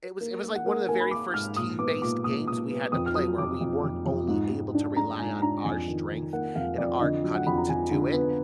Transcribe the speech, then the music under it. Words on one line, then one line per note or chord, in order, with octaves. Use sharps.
it was it was, like, one of the very first team-based games we had to play where we weren't only able to rely on our strength and our cunning to do it,
A#3
A#3
F#5
A#3
A#3 G#5
B5
A#3 D6
G#2 F6
A#2 D#6
B3 D6
A#2 D6
A#2 D#6
A#2 D#6
B3
F2 D#6
F6
F#3 D#6
F2 D6
F2
F2
F2
G#2
G#2
D4
D4 A#5
G#2 G#5
D4 A#5
F2 G#5
D#3
D#3
A#3 F#5
F2 F5
F2 D5
D3 D#5
F#3
F#5
F2 B5
A#5
F2 G#5
D3
B3